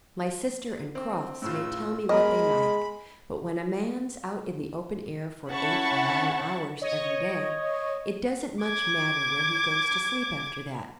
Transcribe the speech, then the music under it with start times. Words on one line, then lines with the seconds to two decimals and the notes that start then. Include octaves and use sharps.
My sister and Crofts may tell me what they like, but when a man's out in the open air for eight or nine hours every day, it doesn't much matter where he goes to sleep after that.
0.95 C4
1.42 A2 C#3 F4 E6
2.09 E2 G#3 A#4 D#5 B5
5.50 C#4 E4 F#5 A5 B5 C#6
6.81 C#5 D#5
8.62 D6 G#6